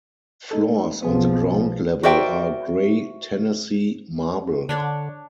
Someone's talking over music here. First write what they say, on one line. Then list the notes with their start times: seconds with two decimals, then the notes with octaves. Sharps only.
Floors on the ground level are gray Tennessee marble.
0.51 A3 D#4 A4
1.02 B1 F3 B3 G#4
2.03 F#4 A#4 C5 D5 E5 G5
4.69 D3 D4 C#5 D5